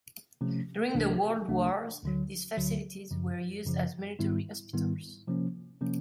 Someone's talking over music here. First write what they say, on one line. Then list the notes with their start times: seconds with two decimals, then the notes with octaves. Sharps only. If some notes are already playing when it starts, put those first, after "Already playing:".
During the world wars, these facilities were used as military hospitals.
0.41 C3 F3 A3 C#4
0.94 C2 C3 E3 A3 D4
1.49 C2 C3 E3 A3 D4
2.03 D2 D3 F#3
2.57 D2 D3 F#3
3.11 F#2 C#3 F3
3.65 F#2 C#3 F3
4.19 G#2 D#3 G3 B3 E4
4.73 G#2 D#3 G3 B3 E4
5.27 C3 F3 A#3 C#4
5.81 C3 F3 A#3 C#4